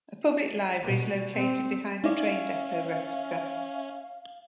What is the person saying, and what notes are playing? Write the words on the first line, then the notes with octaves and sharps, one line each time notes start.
A public library is located behind the train depot replica.
B2
C4
C#4 D#4 E4 D5 E5 F5